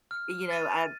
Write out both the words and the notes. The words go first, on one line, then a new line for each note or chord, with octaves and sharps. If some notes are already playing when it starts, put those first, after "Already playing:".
and you know, I
F6
A6 D#7